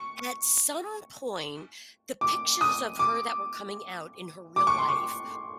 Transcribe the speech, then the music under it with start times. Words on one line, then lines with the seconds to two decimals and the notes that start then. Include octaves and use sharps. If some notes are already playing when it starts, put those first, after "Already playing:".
at some point, the pictures of her that were coming out in her real life
Already playing: C#6
2.21 D6
2.61 D#6
2.99 D6
4.56 D6
4.67 C#6
4.78 C6
4.89 C#6